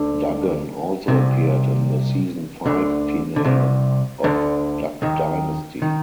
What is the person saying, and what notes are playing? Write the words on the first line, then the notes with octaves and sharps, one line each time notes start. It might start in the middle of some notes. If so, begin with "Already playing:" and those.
Duggan also appeared in the season five finale of "Duck Dynasty".
Already playing: D2 D3
C2 C3
D2 D3
D3
C2 C3
D2 D3
D#2 D#3
D#3